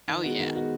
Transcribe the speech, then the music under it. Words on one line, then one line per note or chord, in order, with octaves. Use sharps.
Oh yeah.
D#3
G#3 B3 F#4
D#3
G#3 B3 F#4